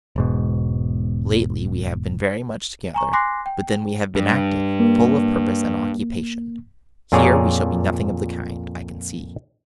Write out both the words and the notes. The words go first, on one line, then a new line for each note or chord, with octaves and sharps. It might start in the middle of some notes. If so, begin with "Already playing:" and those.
Lately we have been very much together, but then we have been active, full of purpose and occupation: here we shall be nothing of the kind, I can see.
E1 G#2 B2
G#5 A#5 C#6
G#5 C6 D6 F#6 A#6 C7
G5
G2
A#3
F2 A#2 G#4 C#5 D5 A#5